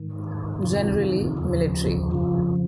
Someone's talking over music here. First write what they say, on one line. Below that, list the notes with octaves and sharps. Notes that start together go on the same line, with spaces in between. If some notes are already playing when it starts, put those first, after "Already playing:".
Generally military.
Already playing: G#2 D#3
F2 C3 D#3 F4
G4
F4
F4
D#4
F4
D#2 C#3 F3
F2 C#3 F3 F4